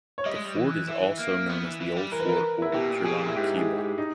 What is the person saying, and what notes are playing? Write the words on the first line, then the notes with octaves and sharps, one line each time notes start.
The fort is also known as the Old Fort or "Purana Quila".
C#5
G3 D#5
G#3
G3
E3
E3 E5
A#3
B3
E3
E3
G3
E3 A#4
B4
A#4
E4
B2 G4
A#2
B2 G#4
A#2
E4
G#2 G4
G#4
G4
D#4